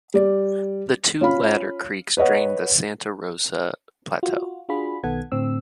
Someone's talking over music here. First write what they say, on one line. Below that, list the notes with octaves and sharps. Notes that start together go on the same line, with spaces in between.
The two latter creeks drain the Santa Rosa Plateau.
G3 D5
C#4 F4 F5 B5
B4 C#5 D#5 F#5
F4 F#4
D4 F4 F#4 G#4 B5
B1 D#3 B3 A4 F#5 G#6
A2 D3 C4 E6